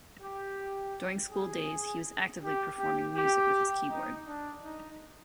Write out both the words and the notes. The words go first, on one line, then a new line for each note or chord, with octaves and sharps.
During school days he was actively performing music with his keyboard.
G4
G#4
G4
G4
G4
D#4
D4
D#4